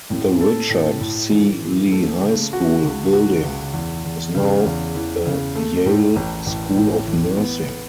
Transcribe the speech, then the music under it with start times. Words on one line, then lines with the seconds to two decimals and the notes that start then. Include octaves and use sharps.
The Richard C Lee High School building is now the Yale School of Nursing.
0.10 A2
0.41 A4
0.70 A2
1.01 A2
1.32 E3
1.62 E3
1.92 A3
2.23 C#3
2.53 F#4
2.83 C#2
3.13 F#4
3.43 C#2
3.73 E2
4.04 E2
4.35 C#3
4.65 E2
4.96 E3
5.25 C#3
5.55 A3
5.86 A2
6.16 A1
6.46 A1
6.76 A2
7.07 E3
7.37 B3